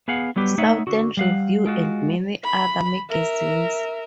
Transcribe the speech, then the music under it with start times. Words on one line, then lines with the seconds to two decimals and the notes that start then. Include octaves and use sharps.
"Southern Review", and many other magazines.
0.08 B3 G#4 F5 F#5
0.36 F#3 G3 B3 G4 B4
0.58 A3 D#4 C#5 D#5 E5 F#5
0.87 D3 F#4
1.17 G3 F5 F#5
1.66 G#3 F4 F#4
2.44 B5
3.10 A#4 E5